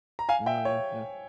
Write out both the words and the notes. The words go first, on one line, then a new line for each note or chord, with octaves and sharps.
Oh, yeah. Yeah.
A#5
F5 G#5
E5 G5
C#5